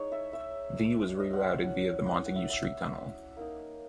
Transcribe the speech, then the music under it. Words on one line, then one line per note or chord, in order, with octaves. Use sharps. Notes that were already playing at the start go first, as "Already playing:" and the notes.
The was rerouted via the Montague Street Tunnel.
Already playing: G#3 D#4 C#5
E5
E5
D#5
F#5
E5
F#3 C#4 E4 F#5
F#5
F#5
E5
E5
A#3 D#4